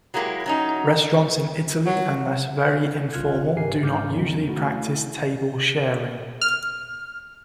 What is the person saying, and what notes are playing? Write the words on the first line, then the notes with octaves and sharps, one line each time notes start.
Restaurants in Italy, unless very informal, do not usually practice table sharing.
F#3 G#3 A#3 E4 G4
F#3 C#4 D#4
F#3
G1 C2 F4 F6 F#6 G#6
G#1 C#3 G4 A#4 G#5 C7
G#2 D6 F6 G6
E2 D#3 C#4 D#4
A3 E4 F#4
F6